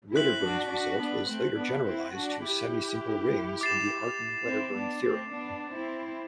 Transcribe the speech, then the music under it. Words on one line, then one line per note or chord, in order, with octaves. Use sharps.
Wedderburn's result was later generalized to semisimple rings in the Artin-Wedderburn theorem.
C4 E4 F#6 B6 F#7
D4 F#4
D4 F#4
B3 D4
A3 C4
B3 D4
C4 E4
D4 F#4
E4 G4
D6 A6 C7 E7
C4 E4
B3 D4
A3 C4
B3 D4
C4 E4